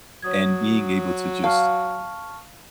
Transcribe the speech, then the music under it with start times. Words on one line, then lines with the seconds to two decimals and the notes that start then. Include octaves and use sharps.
And being able to just
0.22 F#3 C#5 D#6 G#6
1.44 F5 A5 C#6 F6